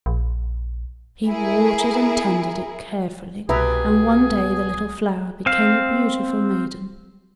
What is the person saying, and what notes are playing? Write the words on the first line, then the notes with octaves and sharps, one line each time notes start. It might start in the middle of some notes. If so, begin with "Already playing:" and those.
He watered and tended it carefully, and one day the little flower became a beautiful maiden.
A#1
E4 G#4 A#4
C2 B2 B3 G4 G#4 B4 E5 A#5
C4 F5